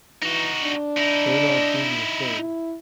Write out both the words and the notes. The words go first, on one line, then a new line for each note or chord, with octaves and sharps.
Bernhard Junior said.
E3 D#4 F#4
D4
D#4 E4
E4